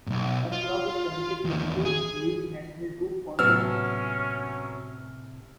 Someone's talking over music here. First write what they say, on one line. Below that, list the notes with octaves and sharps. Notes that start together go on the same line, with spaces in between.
The club is currently playing the Ligue Nationale du Football Amateur.
B1 G2
F4
E2 D#3
G#4
A2 C3 F#3 B3 C#4 E6 F6